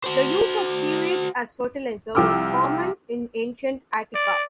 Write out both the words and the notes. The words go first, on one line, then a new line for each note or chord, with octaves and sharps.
The use of sewage as fertilizer was common in ancient Attica.
F#4 C5
C2 F3 G5 D6 E6 F6
D5